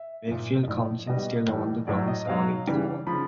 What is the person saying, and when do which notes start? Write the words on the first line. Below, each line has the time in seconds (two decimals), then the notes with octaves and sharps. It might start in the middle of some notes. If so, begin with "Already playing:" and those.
Wakefield Council still owned the grounds surrounding the hall.
Already playing: E5
0.28 A#2 F3
0.63 D#5
0.68 A2 F3 D5
1.07 B2 G3 D#5
1.47 A2 E3 G3
1.87 A2 F#3 D5
2.08 D#5
2.27 B2 F#3 F5
2.67 C#3 E3 G3
3.07 C#3 F3 B5